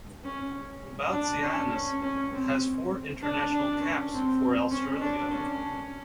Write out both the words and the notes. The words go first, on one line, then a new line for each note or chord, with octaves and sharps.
Boutsianis has four international caps for Australia.
C#4
D4
C#4
C#4
C#4
C4
D4
D4
C#4
C4
C#4
D4
C#4